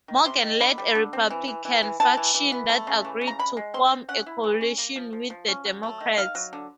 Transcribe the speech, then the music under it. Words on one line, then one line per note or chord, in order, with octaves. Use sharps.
Morgan led a Republican faction that agreed to form a coalition with the Democrats.
D#3
C3 C6
D#3
D3 B5
G3
D3
C4
E3
E3
E3
E3
E3 A5
E3
E3
B3
A3
C#3
E3
C#3
A#5
G#3 B5
G#3
C4 C6
C4
C#4 F#5
E4
E3
C#4
A#3
F3
F3
F3
C#4
F#3
A3
D#3
D#4 F5
F#3
D3